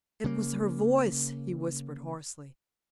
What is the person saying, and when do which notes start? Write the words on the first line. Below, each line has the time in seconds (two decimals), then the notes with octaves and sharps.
"It was her voice," he whispered, hoarsely.
0.24 C#3 A#3